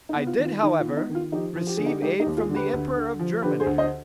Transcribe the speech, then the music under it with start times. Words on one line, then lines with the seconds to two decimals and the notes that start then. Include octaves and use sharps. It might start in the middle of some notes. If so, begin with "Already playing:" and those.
I did, however, receive aid from the Emperor of Germany.
0.09 D#4
0.15 B3
0.27 F4
0.38 D#3
0.44 F4
0.63 D#3 D#4
0.79 F4
0.86 B3
0.97 D#4
1.09 D#3
1.15 F4
1.32 F3 D#4 G4
1.56 F3
1.67 G4
1.77 D3 G#4
1.86 D#4 G4
2.02 G#3 D#4 G4
2.20 D#4 G4
2.26 D#2
2.37 F4 G#4
2.49 D3
2.55 G4 B4
2.73 D2
2.96 D3
3.19 F3
3.42 D3 G4 B4
3.60 G#4 C5
3.66 D2
3.78 C5 D#5